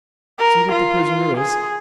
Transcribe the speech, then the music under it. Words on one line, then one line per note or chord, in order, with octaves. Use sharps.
See what the prisoner is.
A#4
F4
G#4